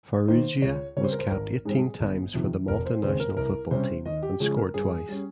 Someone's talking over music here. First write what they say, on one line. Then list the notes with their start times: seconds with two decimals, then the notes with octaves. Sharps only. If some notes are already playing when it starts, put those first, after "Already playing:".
Farrugia was capped eighteen times for the Malta national football team and scored twice.
0.28 D#3 A#3 D#4 C5
0.62 C#2 C#5
0.96 C#3 G3 C4 C#5
1.04 C5
1.12 A#4
1.19 C5
1.31 G#1 A#4
1.65 G#2 G3 C4 G#4
2.00 G1
2.34 F2 C3 D#3
2.68 F1 A#4
2.86 C5
3.03 D#2 C#3 G#3 C4 C5
3.20 A#4
3.37 C2 A#4
3.71 C3 G3 C#4 C5
4.05 D#2 D#5
4.23 G4
4.40 C#3 F3 G#3 C#4 G#4
4.57 A#4
4.74 G2 G#4
5.09 G3 C#4